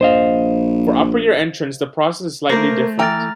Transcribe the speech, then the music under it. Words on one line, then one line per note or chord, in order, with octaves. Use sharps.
For upper year entrance the process is slightly different.
A#1 C5 D#5 F5
A3 A#3 A#4 C5 A#6 C7
E3 G5 A#5 F6 A6